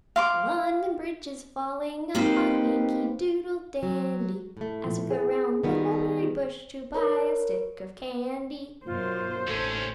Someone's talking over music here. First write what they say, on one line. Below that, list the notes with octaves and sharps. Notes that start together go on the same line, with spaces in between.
"London Bridge is falling up, On Yankee Doodle Dandy! As we go 'round the mulberry bush To buy a stick of candy."
F5 C6 D6
A#3 C4 D#4 G4 B4 C5
F#3
A2 A3
A#2 F3
G#4
D#3 G3 B3
A#4 B4 C#5
F#2 B2 F4 C5
A1 D#2 C#4 A4